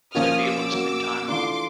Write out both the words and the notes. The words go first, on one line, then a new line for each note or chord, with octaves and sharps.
to be able to spend time on.
F3 A#3 C#4 F4 D#6 F6
D6 E6
F#3 A#3 C#4
E3 A3 D4 F4 C6 D6